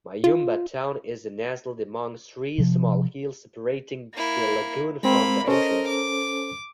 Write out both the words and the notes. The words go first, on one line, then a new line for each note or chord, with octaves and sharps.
Mayumba town is nestled among three small hills separating the lagoon from the ocean.
F4
C3 F3
A#3 E4
G#3 A#3 C4 B5
C#4 A4 A#4 C5 D#5
D6